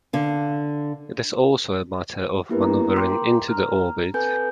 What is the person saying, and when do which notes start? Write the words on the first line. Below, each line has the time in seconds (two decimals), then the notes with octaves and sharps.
It is also a matter of maneuvering into the orbit.
0.13 D3 F5
2.49 A#3 B3 E4 G4 A#4 B4
2.62 A#5
2.96 A#4 G5 A#5 C6 D6
3.48 A#5 F6
4.14 C4 A4 B4 G#5 G6